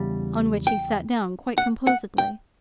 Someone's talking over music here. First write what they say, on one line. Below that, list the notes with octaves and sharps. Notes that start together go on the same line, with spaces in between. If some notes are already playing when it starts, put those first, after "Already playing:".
On which he sat down quite composedly.
Already playing: E2 C#3 G3
G5
F#5
F#5
G5